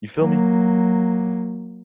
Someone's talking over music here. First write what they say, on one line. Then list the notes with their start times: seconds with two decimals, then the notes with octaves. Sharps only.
You feel me?
0.19 F#3 A#3